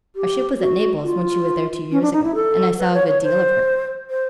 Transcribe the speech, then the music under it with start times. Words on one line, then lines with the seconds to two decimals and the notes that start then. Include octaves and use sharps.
Our ship was at Naples when she was there two years ago; and I saw a good deal of her.
0.16 G4
0.60 F#4
1.03 F4
1.91 C#4
2.02 D4
2.13 D#4
2.24 E4
2.35 A4
2.79 B4
2.93 C#5
3.08 C#5
3.23 C5
4.10 C5